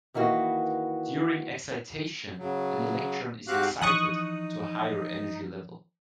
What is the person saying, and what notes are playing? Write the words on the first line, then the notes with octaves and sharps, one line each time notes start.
During excitation, an electron is excited to a higher energy level.
D#3 E3 A#3 F#4 B4
C#3 F#3
G#2 C4 F#4 G4 F5 F#6
E3 F3 D#4 C#6 D#6 F#6